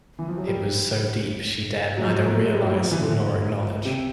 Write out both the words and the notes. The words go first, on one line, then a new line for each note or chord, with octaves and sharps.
It was so deep she dared neither realise nor acknowledge.
E3
F3
F#3
G3
F#3
F3
F#3
A#3
A3
G#3
G3
F#3
G3
F3
E3
D3
C3